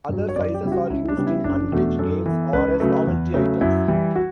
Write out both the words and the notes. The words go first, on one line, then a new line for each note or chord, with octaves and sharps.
Other sizes are used in underage games or as novelty items.
G2 F#3
C#5
F#2 D5
G4
C#3 G3 E4
F#4
C#2 E4
D4
C#3 G3 B3
E4
F#1 D4
E2 B2 A3
F#2 A4
E3 B3
C#2 B4
C#3 F#3 A3
E2
C#3 F#3 A3
F#2 E4
E3 G3
F#4